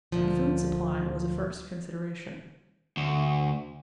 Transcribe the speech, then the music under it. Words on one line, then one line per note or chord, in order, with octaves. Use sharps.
The food supply was a first consideration.
D2 A#2 F3
D2